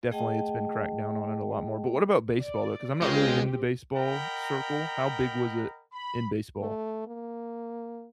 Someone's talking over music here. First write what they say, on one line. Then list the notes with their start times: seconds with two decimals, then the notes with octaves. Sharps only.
definitely, it's been cracked down on it a lot more, but what about baseball, though? 'Cause I'm not really in the baseball circle. How big was it in baseball?
0.11 A3 G#4 D#5 F#5 G5 A5
2.37 D5
3.02 C#2 G#3 C4 F4 G4 G5
3.94 A#4 D#5 F#5 G5 A#5 B5
5.92 B5
6.59 A3
7.07 A#3